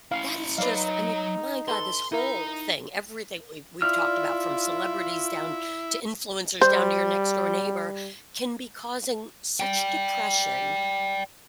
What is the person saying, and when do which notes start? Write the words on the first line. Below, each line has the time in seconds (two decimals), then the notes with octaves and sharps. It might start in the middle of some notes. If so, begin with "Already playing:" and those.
that is just I mean, my god. This whole thing, everything we've we've talked about from celebrities down to influencers down to your next door neighbor can be causing such depression,
0.11 C#4 E4 F5
0.58 F#3 D#4 B4 C#5 D5 F5
1.68 A4 B4 C6
2.12 D#4 E4 A#4 A#5
3.82 E4 F4 D5 F6
6.61 G3 C5
9.60 D5 G5